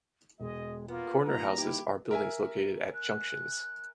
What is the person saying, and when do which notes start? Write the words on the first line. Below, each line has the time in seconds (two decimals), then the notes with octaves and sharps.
Corner houses are buildings located at junctions.
0.40 E1 G#3 D#5
0.88 A#3 B3 F4
1.25 D#3 G3 A#3 F4 A#5
1.58 D#4 E4 G4
2.11 A#4 E5 G#5
2.94 F#6